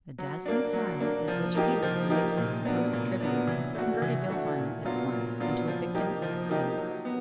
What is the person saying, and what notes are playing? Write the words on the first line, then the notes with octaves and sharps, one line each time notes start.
The dazzling smile with which Peter greeted this supposed tribute converted Bill Harmon at once into a victim and slave.
F#3
A#3 D4
F#3
A#3 D4
F3
A#3 D#4 G4
F3
A#3 D#4 G4
A#2
F#3 B3 D4
A#2
F#3 B3 D4
E3
A3 D4 F#4
E3
A3 D4 F#4
A#2
F#3 B3 D4 F4
A#2
F#3 B3 D4 F4
F3
A#3 D#4 G4
F3
A#3 D#4 G4
F#3
B3